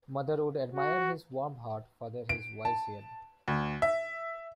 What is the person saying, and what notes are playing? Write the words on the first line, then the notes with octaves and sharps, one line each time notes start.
Mother would admire his warm heart, father his wise head.
F#4
D7
A5
D2
E5